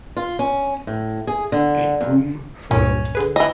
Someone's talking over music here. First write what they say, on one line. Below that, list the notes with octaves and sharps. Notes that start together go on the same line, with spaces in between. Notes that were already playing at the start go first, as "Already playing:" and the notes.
A boom followed.
F4
C#4
A2
G#4
D3
F2
C#2 G2 A#2 C#4
D3 G#4 B4
E3 D#5